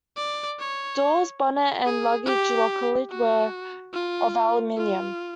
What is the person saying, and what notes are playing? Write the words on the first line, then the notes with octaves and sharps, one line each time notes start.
Doors, bonnet and luggage locker lid were of aluminium.
D5
C#5
G#4
G4
F#4
F4
F4